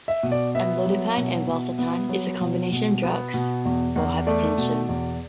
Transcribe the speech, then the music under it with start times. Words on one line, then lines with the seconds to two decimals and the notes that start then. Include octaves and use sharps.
Amlodipine and valsartan is a combination drugs for hypertension.
0.08 E5
0.23 B2
0.32 D5
0.55 B3 E5
0.86 F#3
1.17 B2
1.47 B2
1.79 B3
2.09 F#3
2.41 B2
2.72 B2
3.03 B3
3.34 B2
3.65 E2
3.96 E2
4.27 A3 D5
4.58 B2
4.89 E2